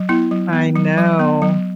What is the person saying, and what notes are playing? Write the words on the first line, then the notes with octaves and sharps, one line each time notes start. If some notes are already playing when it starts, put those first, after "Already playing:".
I know.
Already playing: F#3
B3 E4
F#3
B3
F#3
F#3
B3
F#3